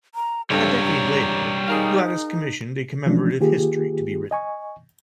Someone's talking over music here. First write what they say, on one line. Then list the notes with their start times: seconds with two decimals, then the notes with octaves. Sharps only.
A decade later, Gladys commissioned a commemorative history to be written.
0.15 A#5
0.50 C#2 G2 G3 C4 A4 C#5
0.80 A#5
1.68 D#4 G#4 A#4 F5
3.06 E3 F3 G#3 A3 C#4 D4
3.40 D#3 A#3 F4 G4 G#4
4.31 D#5 G#5 C#6